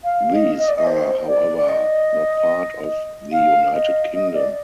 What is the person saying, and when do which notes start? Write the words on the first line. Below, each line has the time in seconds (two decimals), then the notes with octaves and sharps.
These are however not part of the United Kingdom.
0.04 F5
0.32 D#5
0.59 D#5
0.68 D5
0.76 D#5
0.87 C5
1.27 D5
1.58 D5
1.68 D#5
3.32 F5
3.73 D#5
4.14 D#5
4.34 D5